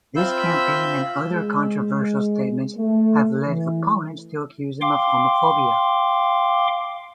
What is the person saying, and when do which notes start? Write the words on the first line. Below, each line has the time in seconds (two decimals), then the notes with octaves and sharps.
This campaign and other controversial statements have led opponents to accuse him of homophobia.
0.16 C4 F4 E5 B5 E6 G6
1.32 G#3
2.78 A3
3.46 E3
4.81 F5 G5 C6 D6